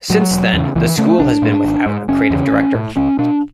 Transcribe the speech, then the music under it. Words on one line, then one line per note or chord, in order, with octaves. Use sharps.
Since then the school has been without a creative director.
A2 F#3
E1
E2 C#3
C#2 E3
C#3 A3
B1 D4
A2
G#1
G#2
F#1 C#4
E2 C#3
A1
A2
C#2 C#4
B2 D4